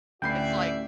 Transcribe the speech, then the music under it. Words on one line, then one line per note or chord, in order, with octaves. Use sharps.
It's like
A1 D2 F#4 D5 E5 G5 B5 C7